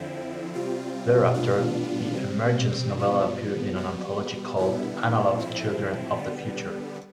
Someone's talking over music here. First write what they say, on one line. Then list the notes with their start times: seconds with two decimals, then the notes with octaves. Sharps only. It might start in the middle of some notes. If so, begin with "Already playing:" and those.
Thereafter the "Emergence" novella appeared in an anthology called "Analog's Children of the Future".
Already playing: F2 D3 F3 C4 E4
0.54 C3 G3 C4 F4
1.34 A2 G3 B3 D4 F4
2.14 C3 G3 C4
2.95 G2 F3 B3
3.76 B2 G3 B3
4.56 D3 G3 B3 E4
5.36 A2 F3 C4 E4
6.17 D3 G3 B3